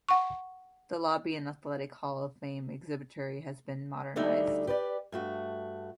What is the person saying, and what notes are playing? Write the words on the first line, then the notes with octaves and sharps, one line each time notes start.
The lobby and Athletic Hall of Fame exhibitry have been modernized.
F#5 C#6
D2 D3 G3 D#4 E5
G4 B4 C5 D5
G2 A3 F#4